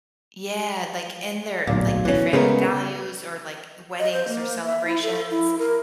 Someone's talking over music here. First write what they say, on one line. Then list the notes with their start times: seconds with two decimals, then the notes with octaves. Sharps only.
Yeah, like, in their like, their family values or, like, weddings or celebrations.
1.67 D1 B1 A#2
2.05 E3 C#4
2.33 C#3 G#3 A3 B3 A#4
3.99 D#5
4.13 C5
4.28 A#3
4.65 E5
4.86 E4
5.02 A4
5.31 E4
5.59 A#4